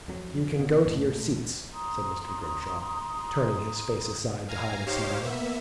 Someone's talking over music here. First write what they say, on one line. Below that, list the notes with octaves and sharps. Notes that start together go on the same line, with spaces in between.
"You can go to your seats," said Mr. Grimshaw, turning his face aside to hide a smile.
F2 F#3
B2
C2 F#2 A2 A3
C#2 A#2 A3
A#5 C6 D#6
F5 G#5 A#5
D#4 G4 C5 C#5 F5
A#3 B3 E5